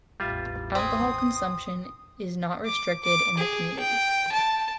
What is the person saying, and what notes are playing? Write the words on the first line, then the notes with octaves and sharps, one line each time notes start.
Alcohol consumption is not restricted in the community.
A1 E2 G3 F4 E5
C4 B4 G#5 D#6
D6
D6
G#4
G5
A5